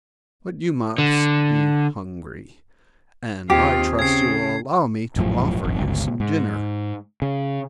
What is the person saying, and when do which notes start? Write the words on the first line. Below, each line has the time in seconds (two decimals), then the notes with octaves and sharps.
But you must be hungry, and I trust you will allow me to offer you some dinner.
0.98 D3
3.50 D#2 C4 F4 G4 G#4
3.99 C#3 G#6 C7
5.16 A#1 F#2 A2 F3
5.63 D#1 G#1 F2
5.78 G1 C#2
6.20 G#2
7.22 C#3